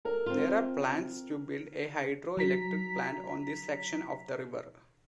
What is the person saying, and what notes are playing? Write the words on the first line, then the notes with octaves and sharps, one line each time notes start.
There are plans to build a hydroelectric plant on this section of the river.
A4 A#4
C4 F4
F#3 A#5 B6